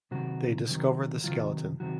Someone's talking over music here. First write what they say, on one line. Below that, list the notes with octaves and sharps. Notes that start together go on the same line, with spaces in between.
They discover the skeleton.
C3 D#3 F#3 F#4
C3 D#3 F#3
C3 D#3 F#3 F4
C3 D#3 F#3 F#4